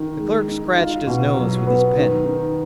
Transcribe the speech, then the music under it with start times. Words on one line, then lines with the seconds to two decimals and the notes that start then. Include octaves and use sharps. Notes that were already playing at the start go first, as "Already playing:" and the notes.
The Clerk scratched his nose with his pen.
Already playing: D#3
0.19 G#3
0.48 D#4
0.78 F4
1.07 B2
1.37 F#3
1.67 B3
1.97 D#3
2.26 D#3